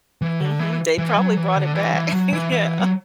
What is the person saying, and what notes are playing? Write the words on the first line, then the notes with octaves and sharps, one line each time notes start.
Mhm. They probably brought it back. Yeah,
E3
D3
E3
E3
F#3
E3
D3
E3
E3
F#3
E3
E3
F#3